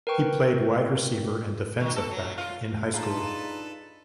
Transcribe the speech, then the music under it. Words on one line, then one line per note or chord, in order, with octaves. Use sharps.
He played wide receiver and defensive back in high school.
A#4 B4 G5 C#6
D#3
A4
F#3
F4
D4 D#4 F4 G#4 A4 B4 A5 A#5